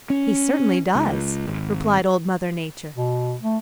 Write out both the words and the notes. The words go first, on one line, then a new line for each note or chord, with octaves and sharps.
"He certainly does," replied Old Mother Nature.
C#4
C#2
G#1
B2
A3